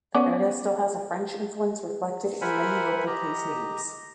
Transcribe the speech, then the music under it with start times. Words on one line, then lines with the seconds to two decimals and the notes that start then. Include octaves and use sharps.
The area still has a French influence, reflected in many local placenames.
0.15 B3 C#4 D5
2.41 A#4 C5 E5 F#5 G#5 B5
3.07 G4 D#5 A#5